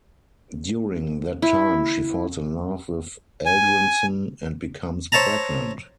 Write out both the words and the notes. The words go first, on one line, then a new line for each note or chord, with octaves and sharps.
During that time she falls in love with Eldrinson and becomes pregnant.
E4
G#5
C5 C#5 E5 A5 A#5